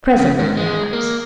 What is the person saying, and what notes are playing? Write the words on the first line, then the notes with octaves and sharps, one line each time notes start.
Presently, perhaps.'
C#3
G#2
G#3
A#3